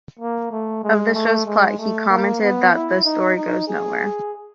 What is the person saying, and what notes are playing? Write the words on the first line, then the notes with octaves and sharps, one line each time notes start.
Of the show's plot, he commented that the story goes nowhere.
A#3
A3
G#3
A3
G#3
A3
A#3
B3
E4
D#4
D#4
G#4